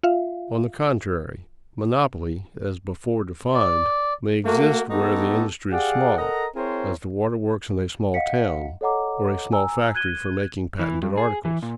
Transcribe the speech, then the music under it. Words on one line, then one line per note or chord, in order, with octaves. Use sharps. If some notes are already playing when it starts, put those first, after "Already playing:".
On the contrary, monopoly, as before defined, may exist where the industry is small, as the waterworks in a small town, or a small factory for making patented articles.
F4 E5 F5
D5
A3 A#3 F#4
A3 B3 D#4 F#4 G4 A4
G4 G#4 D5 F5 F#5
A4 A#4 D#5 F#5 A#5
C4 E4 G#4 A#4 C5 C#5
D#5 F5 F#5 B6 C#7
A4 C#5 D#5 F#5 A#5 D6
G#5 A#5 E6
F#6 G#6 D#7 G7
E3
G2
G#4
E3
A#2